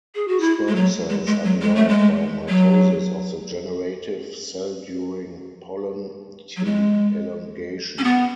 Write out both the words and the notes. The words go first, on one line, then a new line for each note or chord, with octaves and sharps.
Sperm cells are derived by mitosis of the generative cell during pollen tube elongation.
G#4
F#4
E4
G#3
F#3
G#3
G#3
F#3
G#3
A3
G#3
F#3
F#3
G#3
C#4
B3